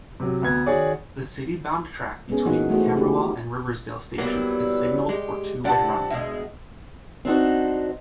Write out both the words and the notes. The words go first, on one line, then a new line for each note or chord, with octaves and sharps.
The city-bound track between Camberwell and Riversdale stations is signalled for two-way running.
C3 F#3
D2 B3 G#6
D#3 F#4 G#4 C#5 D5
G#3 B3 C#4 G#4
E3 A#3 D#4 F#4 F#5
A3 A#3 F#4 G#4 C5
D#4 F4 G4
F#3 G3 A#3 B3 E4
G#3 G4
C3 F3 D4 F#5 A5
B2 G#3 E5
C4 D4 D#4 F#4 C5